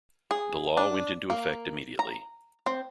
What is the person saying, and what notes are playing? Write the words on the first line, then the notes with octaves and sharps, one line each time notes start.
The law went into effect immediately.
G#4
D4
A#3
A#5
C4